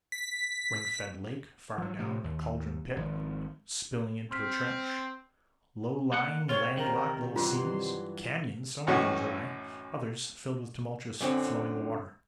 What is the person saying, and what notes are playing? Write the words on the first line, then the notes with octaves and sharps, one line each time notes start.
A spring-fed lake far down in a caldron pit, spilling into a trench; low-lying, land-locked little seas; canyons, some of them dry, others filled with tumultuous flowing water.
B6
F3 F#3
A2 C3 F3
D#2
G#1 F3
C4 C6 F6 B6
D3 A#3 F#5
F2 C#3 C4 F4 C#5
C3 D#3 A#4
G2 E3 F#3 F4 C6
F#2 A2 E3 C#4 D#4 F#4
F#2 A#2 D3 A#3 C4 C#4